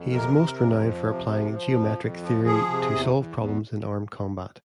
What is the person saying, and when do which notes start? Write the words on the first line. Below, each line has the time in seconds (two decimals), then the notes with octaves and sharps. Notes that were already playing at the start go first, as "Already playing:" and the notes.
He is most renowned for applying geometric theory to solve problems in armed combat.
Already playing: F2
0.12 C3 A#4
0.35 C3
0.58 F2
0.82 F3
1.05 C3
1.29 F3
1.52 F3
1.75 F2
1.98 F2
2.22 F3
2.45 F3 G#4
2.68 C3
2.92 E2
3.15 E2
3.38 E2